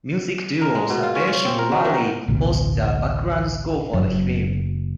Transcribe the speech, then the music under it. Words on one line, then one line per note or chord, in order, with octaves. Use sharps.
Music duo Sabesh–Murali composed the background score for the film.
A#4
G#3
B2
F4
C#4
C#4
C4
A#4
F#3
D#3
A1 D2 B2
F#1 F#2 F#3